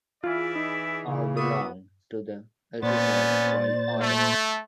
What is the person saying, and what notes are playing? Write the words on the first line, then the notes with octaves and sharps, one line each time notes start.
All belong to the Ultisol soil order.
E3 E4 F4 G#4 D5 E5
D#4
C#3
B3 E4 F#4 D5 E5 C#6 D#6
A#2 B3 C#4 C5 D5 A6
A3